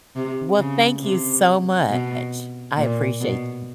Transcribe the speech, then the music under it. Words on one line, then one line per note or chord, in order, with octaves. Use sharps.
Well, thank you so much, I appreciate you.
C3
C#3
C3
B2
A#2
B2